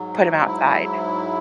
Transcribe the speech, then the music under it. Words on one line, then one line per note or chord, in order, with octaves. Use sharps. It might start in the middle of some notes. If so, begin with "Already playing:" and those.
put 'em outside.
Already playing: G#2 F#3
E4